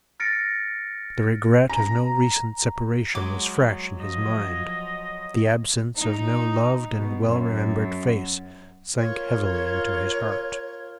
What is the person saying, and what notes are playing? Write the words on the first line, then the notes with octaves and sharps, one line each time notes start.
The regret of no recent separation was fresh in his mind; the absence of no loved and well-remembered face sank heavily into his heart.
F6 A6 A#6 C#7 D7
A#5
F#3 G#3 D6
F3 D#5
D#4
B2
F#2
F4 A#4 C#5